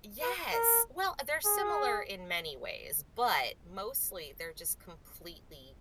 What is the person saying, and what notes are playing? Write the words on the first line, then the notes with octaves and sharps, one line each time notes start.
Yes! Well, they're similar in many ways, but mostly they're just completely
B4
A#4
G#4